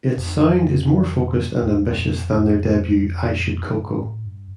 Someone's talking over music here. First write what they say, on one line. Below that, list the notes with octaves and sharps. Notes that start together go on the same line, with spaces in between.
Its sound is more focused and ambitious than their debut, "I Should Coco".
F2
E2
F2
F2
G2
A2
G2